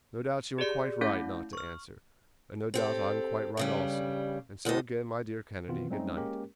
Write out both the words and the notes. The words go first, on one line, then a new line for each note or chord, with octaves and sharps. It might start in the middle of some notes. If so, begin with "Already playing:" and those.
"No doubt you are quite right not to answer, and no doubt I am quite right also--and so again, my dear Kennedy, good night!"
G4 G#4 D5 C#7
A3 C#4 E4 F5 G6
C#6 F6
C4 G4 A4
G2 C#3 G3
D2 A2 A4 D#5
B2 D#3 E3 B3 C4 F4
F#3 G3 A3 C4 C#4 D#4
G#3 A#3 C#4 G4 A#4